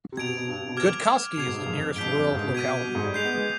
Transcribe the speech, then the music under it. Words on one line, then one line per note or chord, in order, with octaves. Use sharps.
Gudkovsky is the nearest rural locality.
C3
B2 G#6 D7 F7
C3
B2
G2
C3
B2
C3 D6 F6 G#6
B2 G#6 C7 F7
G#2
G2
G#2
F2
F2 G#2 G6 B6 D7 G7
G2
F2
G2
G#2
B2
G#6 B6 D#7
B2
G#2
G3
G#3 G6 C7 F7
B3
G#3